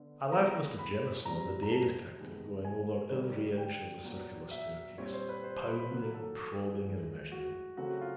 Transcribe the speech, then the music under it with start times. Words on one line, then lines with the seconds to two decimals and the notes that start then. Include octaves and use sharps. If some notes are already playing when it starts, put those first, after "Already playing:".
I left Mr. Jamieson and the day detective going over every inch of the circular staircase, pounding, probing and measuring.
Already playing: D3 B3
0.32 E3 G#3 B3 A#5
0.79 B5
1.25 A#2 G3 C4 A#5
1.62 A#5
1.71 A5
2.19 C3 D#3 G#3 B3
2.65 G#5
3.11 D3 G3 A#3
3.58 G5
4.04 A#2 F#3 B3
4.51 E5
4.98 A#2 G3 C4 C#5
5.13 C5
5.29 B4
5.44 C5
5.56 C5
5.68 B4
5.79 B4
5.91 D#3 F#3 A#3
6.14 A4
6.38 A4
6.61 G#4
6.85 A2 F3 G#3
7.32 F#4
7.77 C#3 F#3 A3 C4 F#4
8.01 F4